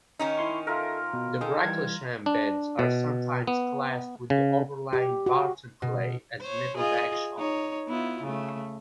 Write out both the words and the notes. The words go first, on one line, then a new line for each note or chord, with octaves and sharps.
The Bracklesham Beds are sometimes classed with the overlying Barton clay as Middle Bagshot.
D#3 C#4 D#4
E4 C6 C#6
F4 A4 A#4 E5
B2
D#3 G#4 A4
E3 G3 G#6
D4
B2
B3
C#3
G4
F#4
B2
C5 C#5
F4 G#4 D#5
D#4 C#5
B3 E4 F4
C#3 A3